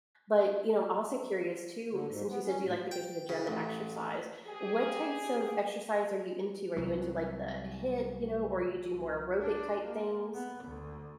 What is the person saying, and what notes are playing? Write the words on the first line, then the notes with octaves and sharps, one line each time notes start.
But, you know, I'm also curious too, since you said you like to go to the gym and exercise, what types of exercise are you into? Are you into like the HIIT, you know, or you do more aerobic type things?
D3
G#2
B3
C#4
A2
G5
C#3
A1
G4 G#4
C2 F#3
C2
D4
A#3
B3
D2